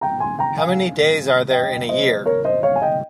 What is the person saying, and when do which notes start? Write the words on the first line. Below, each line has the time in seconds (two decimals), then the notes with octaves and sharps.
How many days are there in a year?
0.01 G5 A#5
0.20 G#5 C6
0.39 G5 A#5
0.58 F5 G#5
1.51 D#5 G5
1.89 C5 D#5
2.26 A#4 C#5
2.45 C5 D#5
2.63 C#5 F5
2.76 G#5
2.82 D#5 G5